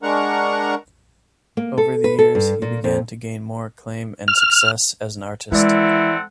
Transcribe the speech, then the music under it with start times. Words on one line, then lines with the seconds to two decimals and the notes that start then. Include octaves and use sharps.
Over the years he began to gain more acclaim and success as an artist.
0.03 G#3 D4 A#4 F#5 A#5 C#6
1.57 A#3
1.78 A4
2.04 B4
2.19 A4
2.35 G2
2.62 A#2
2.84 F2
4.28 F6
5.52 E3 G#3 C4 E4 A4 D5 F#5